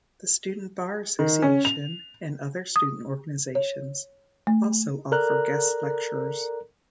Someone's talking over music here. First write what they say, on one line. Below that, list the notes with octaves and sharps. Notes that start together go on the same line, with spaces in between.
The Student Bar Association and other student organizations also offer guest lectures.
D#3
C#4
F7
D#6
C#5
A3
A4 A#4 D5 A#5 F#6